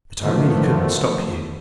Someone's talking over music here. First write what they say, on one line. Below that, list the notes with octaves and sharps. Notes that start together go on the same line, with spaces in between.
But I really couldn't stop you.'
D3 D#3 F3 F#3 A3 B3